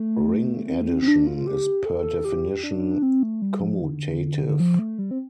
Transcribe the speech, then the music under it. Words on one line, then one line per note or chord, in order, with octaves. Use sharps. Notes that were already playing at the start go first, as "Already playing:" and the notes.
Ring addition is per definition commutative.
Already playing: A3
C4
A3
C4
C4
D4
F4
G4
A4
G4
D4
C4
A3
G3
F3
D3
D3
F3
A3
G3
C4